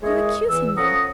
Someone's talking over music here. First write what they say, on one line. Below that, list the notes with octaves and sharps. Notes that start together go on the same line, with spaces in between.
You accuse him, then?
G#3 E4 G#4 A#4 C#5 D#5
E2 E3 E6
F3 C#4 A4 F#5 A#5 D#6